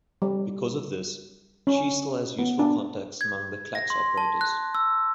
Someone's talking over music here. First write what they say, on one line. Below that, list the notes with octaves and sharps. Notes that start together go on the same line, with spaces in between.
Because of this, she still has useful contacts amongst the clacks operators.
G3
C#4
B3
D4
G#6
A#6
C6
A5
F#6
E6